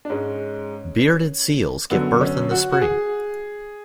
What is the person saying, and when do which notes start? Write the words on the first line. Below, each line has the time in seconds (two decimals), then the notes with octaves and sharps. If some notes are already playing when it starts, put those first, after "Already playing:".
Bearded seals give birth in the spring.
0.05 D4
0.10 G#2 G#3 C#4
1.91 F#2 D3 F#3 B3
2.21 C#4
2.51 F#4
2.72 F#4
2.82 G#4